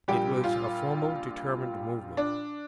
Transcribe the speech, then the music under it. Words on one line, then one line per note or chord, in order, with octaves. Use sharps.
It was a formal, determinate movement.
A#1 A#2 G3 G4
F4
D4